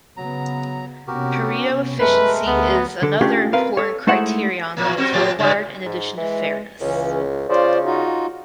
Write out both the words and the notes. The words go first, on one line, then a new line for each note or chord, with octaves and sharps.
Pareto efficiency is another important criterion that is required in addition to fairness.
C#3 F#3 B3 A#5
C3 B3 C#4 F#4 G4 A#4
F#2 G#3 A3 A#4 B4
D2 B3
D3 A4
A3 C#4 D4 F4 G4 G#4
C4 A#4 B4 F5
A4 C#5
G#3 A3 D#4 E4 C5 F#5
A2 F3 A#3
G3 C4 F#4
G#2 F3 G4
F#2 C#3 G3
G#2
E3 G#3
C#2 C#3 E3 C#4
C#3 F4 C5 D5
D#4 F4 F#4